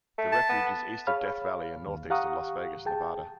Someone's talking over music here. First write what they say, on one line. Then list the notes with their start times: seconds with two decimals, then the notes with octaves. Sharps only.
The refuge is east of Death Valley and northeast of Las Vegas, Nevada.
0.18 A3
0.32 A5
0.49 B3
1.07 G#4 C#5 F5 B5 F6
1.87 D#2
2.10 G4 F5 F#5 A#5 C#6 D#6
2.86 G#4 G5 A5